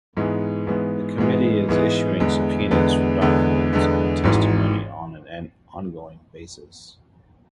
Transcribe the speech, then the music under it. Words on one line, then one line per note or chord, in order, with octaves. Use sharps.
The Committee is issuing subpoenas for documents and testimony on an ongoing basis.
G#2 E3 G#3 B3
G#2 E3 G#3 B3
G#2 E3 G#3 B3
G#2 E3 G#3 B3
E2 D3 G#3 B3
E2 D3 G#3 B3
E2 D3 G#3 B3
E2 D3 G#3 B3
G#1 G#2 E3